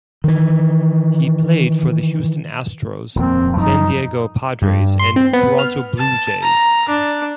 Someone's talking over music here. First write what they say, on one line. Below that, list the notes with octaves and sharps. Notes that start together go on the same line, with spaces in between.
He played for the Houston Astros, San Diego Padres, and Toronto Blue Jays.
D#3 E3
D#1 F2 A#3 C4
F#2 F3 D#4
G2
C6
C4
B3
F6
A5
A#5
D4